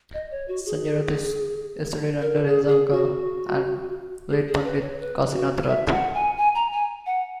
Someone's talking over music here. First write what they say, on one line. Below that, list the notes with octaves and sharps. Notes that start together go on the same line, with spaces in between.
Sanjay Rath studied under his uncle, the late Pandit Kasinath Rath.
D#5
C#5
F#4
G#4
A#4
G#4
G#4
F#4
G#4
G#4
B4
C#5
B4
F#4
E5
F#5
G#5
G#5
A#5
G#5
F#5